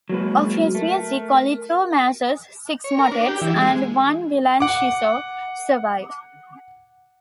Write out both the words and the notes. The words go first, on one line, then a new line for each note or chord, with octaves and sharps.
Of his music only two masses, six motets and one villancico survive.
F#3 G#3 A#3 B4
A3 A#4
C#5
A#4
D4
G4
E3
G#3
F#5 D6